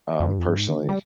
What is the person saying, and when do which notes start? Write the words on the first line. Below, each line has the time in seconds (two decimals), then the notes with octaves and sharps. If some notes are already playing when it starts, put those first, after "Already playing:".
um, personally
0.20 F2
0.29 G2
0.39 F2
0.48 G2
0.59 G#2
0.68 D3
0.79 D#3
0.89 G3